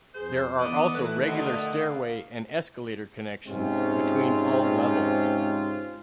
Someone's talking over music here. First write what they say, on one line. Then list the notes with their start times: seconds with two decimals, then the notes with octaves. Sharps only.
There are also regular stairway and escalator connections between all levels.
0.15 F2 G#4 C5
0.59 E3 B3 D4 D5 D#5
0.94 A3 E4 F#4 B4
1.23 B2 D3 A#3 E4 B4 D#5 D#6
1.79 F5
3.46 G#2 C3 G#3 C4 C#4 F4